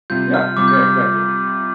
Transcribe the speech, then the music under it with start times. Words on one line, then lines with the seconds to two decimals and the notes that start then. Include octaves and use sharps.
Yeah. Yeah, exactly.
0.10 C3 G3 F4 G6
0.34 F6
0.57 C3 G3 F4 D6
0.68 G6
0.74 F6